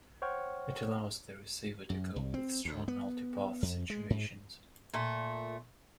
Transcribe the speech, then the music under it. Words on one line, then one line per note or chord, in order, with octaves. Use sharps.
It allows the receiver to cope with strong multipath situations.
C5 C#5 F#5 G5 C#6 F6
F#2
C2
C4
D2
B3
F2
G#3
G#2
A#2 A3